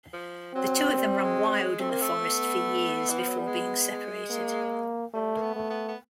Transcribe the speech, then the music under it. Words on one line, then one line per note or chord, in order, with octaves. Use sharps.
The two of them run wild in the forest for years before being separated.
F3
F#3 C4
F#3
G3
G#3
G3
G#3
A3 C4
A#3
A3
B3
E3
F3
F#3
G3
G#3
A#3
G3 A3
A#3
B3
A3
B3
B3